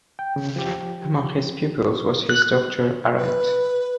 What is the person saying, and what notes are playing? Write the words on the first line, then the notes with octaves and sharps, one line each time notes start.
Among his pupils was his daughter Arete.
G5
C#3
F3 G4
F#6
B4